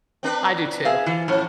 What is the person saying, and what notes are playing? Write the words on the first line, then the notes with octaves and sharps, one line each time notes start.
I do too.
C4 D4 B4
G#4 E5 F5
E3 F4
A2 F3 C#4